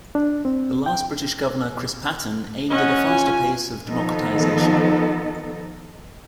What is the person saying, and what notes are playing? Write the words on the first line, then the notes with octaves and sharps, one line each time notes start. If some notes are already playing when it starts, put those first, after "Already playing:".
The last British Governor Chris Patten aimed at a faster pace of democratisation.
D4
C4
G5
C#4 D#5 F#5
F4 G#5
D#3 F3 B3 D#4 A4